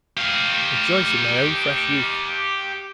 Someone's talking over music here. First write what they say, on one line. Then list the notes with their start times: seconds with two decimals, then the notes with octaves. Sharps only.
"Rejoice in thy own fresh youth!"
0.17 G4 F5